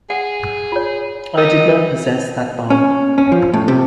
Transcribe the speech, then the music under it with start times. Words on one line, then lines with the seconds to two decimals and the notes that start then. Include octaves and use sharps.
I did not possess that bomb.
0.10 G#4 F#5
0.72 F4 C#5
1.37 D#4 A#4
2.70 C#4
3.18 C#4
3.32 F3
3.53 A2
3.68 C3